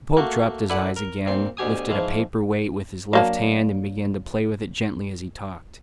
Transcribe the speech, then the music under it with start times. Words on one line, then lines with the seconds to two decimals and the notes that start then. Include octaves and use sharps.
The Pope dropped his eyes again, lifted a paper-weight with his left hand, and began to play with it gently as he talked.
0.17 A3 A#3 F#4
0.70 E4 A4 B4 D5 F#5
0.96 A#4
1.26 A#2 C4 C6
1.57 D2 B2 G4 G#5 D#6
1.89 G#2 E3 F3
3.13 F#3 A#3 D4